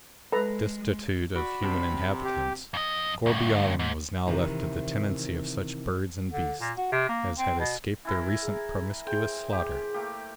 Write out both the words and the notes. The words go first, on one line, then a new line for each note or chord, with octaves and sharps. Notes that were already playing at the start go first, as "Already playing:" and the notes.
Destitute of human inhabitants, Gourbi Island was now left to the tenancy of such birds and beasts as had escaped the recent promiscuous slaughter.
G#3 A4 B4 A#5
F#4 D5 B5
C3 C4 D4
G4
F2 D#5
D2 G2
G#2
C3 D#3 E3
D3
A#2
F#4
C3
A#3
C4
B2
E3 E4 A#4
G#4
G#4 C5 G5
G4
A3 A#3 G4